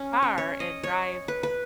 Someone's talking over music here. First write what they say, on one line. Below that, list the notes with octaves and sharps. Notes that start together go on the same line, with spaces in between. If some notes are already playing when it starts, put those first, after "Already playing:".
car and drive
Already playing: C#4
C#5
C#5
D#5
C#5
B4
B4